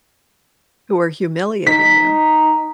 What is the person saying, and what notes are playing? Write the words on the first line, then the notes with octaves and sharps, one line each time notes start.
Who are humiliating you.
D#4 B6